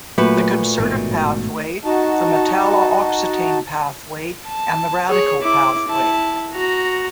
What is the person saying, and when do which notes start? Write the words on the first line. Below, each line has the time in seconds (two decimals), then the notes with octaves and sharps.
The concerted pathway, the metalla oxetane pathway and the radical pathway.
0.18 A#2 F#3 A3 F#4 B4 C#7
0.78 A1 G#2 B2
1.85 D#4 F#4 A5
4.47 A5
5.09 G#4 C#5
5.42 E4 D6
5.88 E4 A5
6.53 F#4 A#5